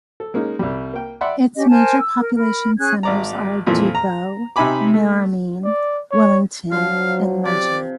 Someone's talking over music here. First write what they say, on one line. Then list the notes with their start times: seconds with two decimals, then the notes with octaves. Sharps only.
Its major population centres are Dubbo, Narromine, Wellington and Mudgee.
0.20 A4
0.34 G#3 A#3 C#4 D#4
0.59 C2 G3
0.94 A#3 G5
1.21 D5 E5 F#5 G5 B5 C6
1.56 C#4 D4 G4 D#5
1.70 A#4 C5 G#5 A5
1.99 E6
2.20 A#4
2.36 A#4 B5
2.78 C#4 G#4 F#6 G#6
3.03 G#1 D5 A#5
3.67 F2 A#2 E3 F3
3.95 A#5
4.56 C3 D#4 E5 G#5 B5 D6
4.94 A3
5.64 D5
6.11 C#5
6.72 D3 F3 F#3 F5
7.45 C3 D5